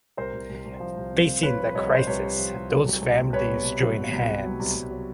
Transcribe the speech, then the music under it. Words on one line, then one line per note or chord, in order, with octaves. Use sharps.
Facing the crisis those families join hands.
C2 A#4 C5
C2
C2
C2
F3
C2
C3
F3
F3 B4 C#5
F3
C2 C#5 D#5
C2 C5
C2 B4 C#5
C3
F3
C2
F#3
C2
C2
C2
C2 B4 C#5
B2
C2
F#3
B2
C2
C2
F#3
C2
C2
F#3